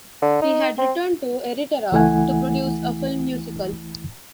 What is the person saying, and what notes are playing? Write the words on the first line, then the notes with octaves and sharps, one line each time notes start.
He had returned to Eritrea to produce a film musical.
D3
D#4
C4
C#2 E3 A3 E4 F#5 G#5